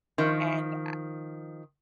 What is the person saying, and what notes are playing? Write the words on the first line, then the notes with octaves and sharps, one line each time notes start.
and, uh
D#3 F3